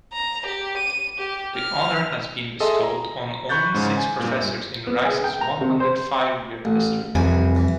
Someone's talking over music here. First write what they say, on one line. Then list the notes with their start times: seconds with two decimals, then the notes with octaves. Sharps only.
The honor has been bestowed on only six professors in Rice's one-hundred-five-year history.
0.13 A#5
0.46 G4
0.77 D#7
1.18 G4
1.56 F6
2.60 G#4 A4 D#5 E5 G#5 C6
2.83 A#5
3.49 B5 C#6 F#6 G6 A6
3.74 G#2 C#3
3.97 G#5
4.19 G2 A#2
4.87 B3
5.05 G#4
5.24 G5
5.41 A#5
5.61 C3
5.80 C5
6.65 A1
7.15 C2 F2 E3 G#5
7.56 E3